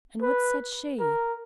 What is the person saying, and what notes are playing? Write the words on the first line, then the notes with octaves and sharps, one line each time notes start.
"And what said she?"
B4
A#4